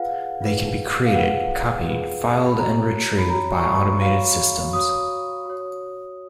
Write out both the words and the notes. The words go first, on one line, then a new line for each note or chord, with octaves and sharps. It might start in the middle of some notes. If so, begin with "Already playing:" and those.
They can be created, copied, filed and retrieved by automated systems.
Already playing: F4 G#4 B4 F5 F#5
F4 G#4 B4
F5
F4 G#4 B4 F#5
F4 G#4 B4
B5
F#4 C#5 A#5
B5
F#4 C#5 A#5
C#6
B5
F#4 C#5 F5
F#4 C#5 D#6
F#4 C#5